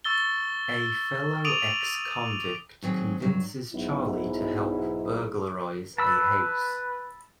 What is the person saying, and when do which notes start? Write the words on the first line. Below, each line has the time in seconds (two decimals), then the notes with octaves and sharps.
A fellow ex-convict convinces Charlie to help burglarize a house.
0.04 C#6 E6 A6 G7
1.44 D6 D#6 D7 D#7 F7 F#7
2.82 D#2 F#3 C4 G#4
3.20 G2 F#3
3.72 B1 G#2 E4
5.98 B4 A5 B5 E6